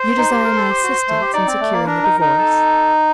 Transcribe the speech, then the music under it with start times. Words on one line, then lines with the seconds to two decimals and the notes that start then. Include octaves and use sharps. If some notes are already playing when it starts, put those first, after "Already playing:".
"You desire my assistance in securing a divorce?"
Already playing: C5
0.18 D#4
0.30 G4
0.44 A#4
0.56 A4
0.69 G4
0.83 F#4
1.08 A3
1.21 G4
1.34 D#4 D5
1.47 C4
1.60 A3
1.72 A#3
1.86 D4 A#4
2.03 D#4
2.20 D#4
2.38 A4